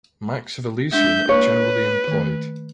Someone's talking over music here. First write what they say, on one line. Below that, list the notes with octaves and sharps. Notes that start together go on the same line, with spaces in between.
Marks of elision are generally employed.
G#3 D4 E5 G6
A#3 E4 B4 C#5 F5
D#3 A3